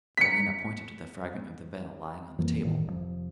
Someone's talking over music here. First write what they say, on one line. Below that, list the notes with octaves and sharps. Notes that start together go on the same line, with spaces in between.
Diana pointed to the fragment of the veil lying on the table.
B6 C#7
F2 E3 A#3
G1 D#2 A2 D#3
F1 C3 F3